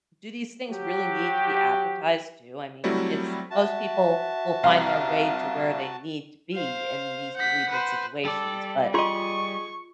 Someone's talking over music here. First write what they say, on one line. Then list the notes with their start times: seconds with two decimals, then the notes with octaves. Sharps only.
do these things really need to be advertised to, I mean, it's most people will find their way to where they need to be in these bereavement situations, but,
0.70 F#3 G4
2.84 F#3 G3 A3 C4 E4 F#4
3.50 F#4 E5 A5
4.63 C2 F5
6.54 C5 F5
7.37 F#5 G6 B6
7.70 B4 C5
8.25 G3 A4 D5
8.94 F4 G#4 D#5 C6 C#6